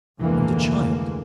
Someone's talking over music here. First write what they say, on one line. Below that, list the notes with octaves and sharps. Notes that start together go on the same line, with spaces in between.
And the child?
F1 D2 D3 E3 G#3 A#3